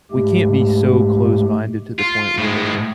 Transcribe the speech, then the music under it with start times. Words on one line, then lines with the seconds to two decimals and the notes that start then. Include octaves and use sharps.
we can't be so close-minded to the point where
0.12 G#2 G#3 A3 G4
1.99 F4
2.38 A2 G#3